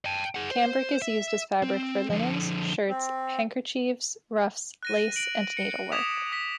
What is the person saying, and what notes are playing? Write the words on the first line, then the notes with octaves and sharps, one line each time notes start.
Cambric is used as fabric for linens, shirts, handkerchieves, ruffs, lace and needlework.
G5 A5
G#4 F#5
C5
E5
C4
D3 F3
C4
F#6 A#6 D#7
D7 F#7
C#7
D6 D#6 G#6 B6 E7 F7
D#6 B6